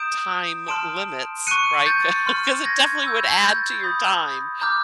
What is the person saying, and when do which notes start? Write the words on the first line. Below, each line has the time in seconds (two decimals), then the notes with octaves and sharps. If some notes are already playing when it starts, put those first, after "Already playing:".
time limits, right? 'Cau 'cause it definitely would add to your time.
Already playing: A#5 D#6 G6 D7 E7
0.68 A5 C6 F6 D7 E7
1.47 C#6 F#6 C#7 D#7
1.86 G6 A6
2.26 C6 F6
2.65 G#6 A#6
3.04 B5 E6 G6
3.44 G6 A6
3.83 B5 D#6 G6
4.61 A#5 D6 F6 G6